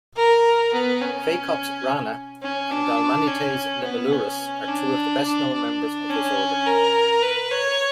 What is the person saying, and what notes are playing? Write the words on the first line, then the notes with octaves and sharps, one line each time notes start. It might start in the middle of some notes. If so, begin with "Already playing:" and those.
"Phacops rana" and "Dalmanites limulurus" are two of the best-known members of this order.
A#4
B3
C#4
C#4
D4
C#4
B3
C#4
D4
D4
D4
C#4
A#4
B4
C#5